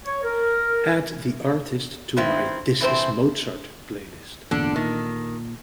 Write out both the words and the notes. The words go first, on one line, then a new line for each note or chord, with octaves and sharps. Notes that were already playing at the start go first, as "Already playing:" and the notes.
Add the artist to my This Is Mozart playlist.
C#5
A#4
G2 D#3 C4 E4
E3 A3 C4 A4 C5
G#1 E2 A#2 D3 D4
A#2 D#3